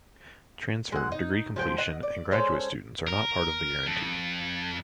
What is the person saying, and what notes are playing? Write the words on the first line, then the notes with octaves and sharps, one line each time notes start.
Transfer, degree completion and graduate students are not part of the guarantee.
G#3 F#5
D#4
F3 G#3 G5
D#5 F#5
D5
G#3 C#4 A4 C5
A#4
F2